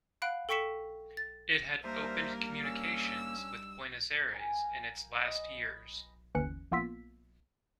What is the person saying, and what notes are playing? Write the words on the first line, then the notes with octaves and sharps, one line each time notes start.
It had opened communications with Buenos Aires in its last years.
F5 F#5 B5 F#6 D7
A4 G5 C#6 B6 C#7 E7
A6
G3 A#3 D4 D#4 A#4 C5 E5
C#4 E6
A#4 F5 G5 G#5
B4 D#5
G1 D#2 E3 C#4 F#6 C#7
A#1 A#3 B3 F4 E6 B6